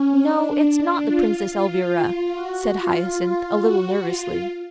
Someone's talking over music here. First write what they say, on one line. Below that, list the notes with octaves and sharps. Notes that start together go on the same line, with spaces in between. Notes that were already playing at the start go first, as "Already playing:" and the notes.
"No, it's not the Princess Elvira," said Hyacinth, a little nervously.
Already playing: C#4
D4
F4
F4
F#4
F4
F4
F#4
F4